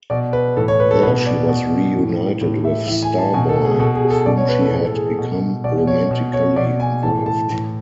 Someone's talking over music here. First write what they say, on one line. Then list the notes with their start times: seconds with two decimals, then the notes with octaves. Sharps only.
There she was reunited with Star Boy, with whom she had become romantically involved.
0.10 B2 D5
0.33 B4
0.57 A2 E3 A4
0.68 C#5
0.80 B4
0.91 A4
1.03 B2 B4
1.26 D5
1.49 B2
1.95 A2 E3
2.41 A2 E3
2.65 E5
2.87 A2 E3 E5
3.03 G#5
3.18 A5
3.33 B2 G#5
3.49 A4
3.64 G#4
3.80 B2 A4
3.95 G#4
4.10 A4
4.26 B2 D5
4.38 C#5
4.49 B4
4.60 A4
4.72 E3 G#4
4.75 A2
4.83 A4
4.95 G#4
5.07 A4
5.18 B2
5.64 B2 D5
5.87 C#5
6.11 B2
6.33 C#5
6.56 B2 D5
6.80 G#5
7.03 A2 E3 A5
7.26 A5
7.49 A2 E3